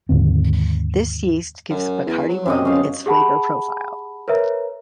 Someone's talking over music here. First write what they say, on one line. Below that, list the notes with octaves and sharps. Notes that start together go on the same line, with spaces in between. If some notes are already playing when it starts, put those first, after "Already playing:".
This yeast gives Bacardi rum its flavour profile.
D#2 G#2 D3 C4
F#2
E2
F#3
F#2 C3 D#5
G1 C#4 F5
G4 G#4 F#5 A5 B5
A#4 B4 C#5 E5 A#5